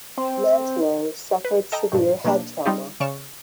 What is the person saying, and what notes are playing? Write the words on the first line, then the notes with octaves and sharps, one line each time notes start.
Mantlo suffered severe head trauma.
C4
B4
A4 D#5 G5 A5 A#5
G2 A#2 D#3
B2 F#3 A#3 D4
G3 C4 D#4 F4 G4
C#3 D5 C#6 F6 E7